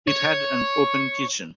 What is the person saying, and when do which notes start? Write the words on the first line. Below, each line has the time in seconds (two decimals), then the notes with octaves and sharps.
It had an open kitchen.
0.07 C#5